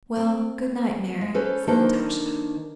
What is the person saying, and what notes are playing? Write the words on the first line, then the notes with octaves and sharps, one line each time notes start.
"Well, good night, Mary!" said Natasha.
C4
G#3
C#4 A4 B4 C5
D#3 A#3 D4 A4 B4 C5